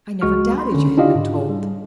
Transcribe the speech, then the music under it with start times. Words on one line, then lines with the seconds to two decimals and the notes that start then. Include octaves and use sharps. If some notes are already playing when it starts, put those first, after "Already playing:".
I never doubted you had been told.
0.21 C#2 G#3 F#4 C#6 F6
0.58 B5 C6
0.72 D3 C#4
0.97 D4 E4 F4 G4 D#5 F5
1.15 G#2
1.49 G3